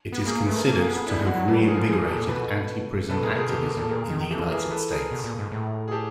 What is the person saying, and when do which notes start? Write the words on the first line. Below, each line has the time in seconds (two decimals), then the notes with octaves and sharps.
It is considered to have re-invigorated anti-prison activism in the United States.
0.12 B3
0.26 A#3 G#4 A#4
0.46 A3 B4
0.57 A#4
0.66 A#3 A4
0.75 G#4 A#4
0.87 B3
1.06 B3 D4 E4
1.20 G#3
1.27 E4 F#4
1.35 F#3
1.48 G3 A4 B4
1.60 F#3
1.67 G#4 A#4
1.74 F3
1.87 F3 G#4 A#4
2.02 E3
2.08 G4 A4
2.15 A#2
2.28 B2 A4 B4
3.09 B2 A4 B4
3.22 A#2 G#4 A#4
3.35 B2 G#4 A#4
3.49 B2 G4 A4
3.62 B2
3.70 A#4
3.77 A#2 A4
3.89 A#2 G#4 A#4
4.10 D#3
4.31 E3 G4 A4
4.39 F3
4.47 E3 G#4 A#4
4.70 A4 B4
4.90 G#4 A#4
5.11 B2
5.24 A#2
5.39 G#2
5.52 A2
5.88 G#4
5.91 G4 A4